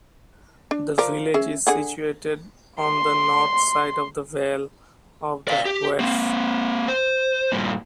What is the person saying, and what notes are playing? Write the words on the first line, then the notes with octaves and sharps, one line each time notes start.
The village is situated on the north side of the vale of the Wharfe.
D4
F3 A#4 D5
C#4 G#4 E5
D3 G#4 F#5
C6
D5 F5
G4
A#3 C4
C5
G2 A#2